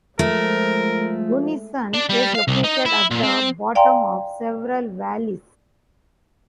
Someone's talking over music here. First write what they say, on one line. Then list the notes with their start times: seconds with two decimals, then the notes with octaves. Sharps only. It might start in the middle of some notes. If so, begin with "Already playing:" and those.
Gunnison is located at the bottom of several valleys.
0.19 F3 G#3 A3 A#4
1.94 D4
2.10 G3
2.35 F5
2.48 C2
2.64 D#4
2.85 E4
3.11 A#2
3.23 C4
3.75 D5 F5 G5 G#5 A#5 C6